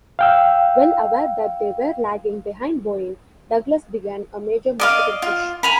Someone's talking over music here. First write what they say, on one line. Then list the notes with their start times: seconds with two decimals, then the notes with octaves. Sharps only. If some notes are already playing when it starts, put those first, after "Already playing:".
Well aware that they were lagging behind Boeing, Douglas began a major marketing push.
0.19 F5 G5 E6
4.80 D5 D#5 F5
5.22 F4
5.63 G#5 A#5 B5